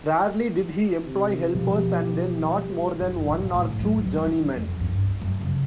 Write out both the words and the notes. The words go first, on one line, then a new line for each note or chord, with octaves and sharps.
Rarely did he employ helpers and then not more than one or two journeymen.
C3
B2 F3 G3 G4
G1
A#1
A2
F#3
G#3
F#2
F2
G2
F#2
C#3